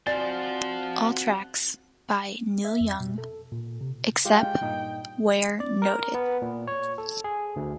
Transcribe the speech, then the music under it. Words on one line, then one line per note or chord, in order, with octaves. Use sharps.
All tracks by Neil Young, except where noted.
F3 C4 F#4 C5 D5 F#5 G#5 A6
E5
F2
B2
A4
A#2
C3
G#3 F4 G4 G5
G2 A#2 D#4
D5
A#4
B3
A#2
C#5
A4
G#4
D2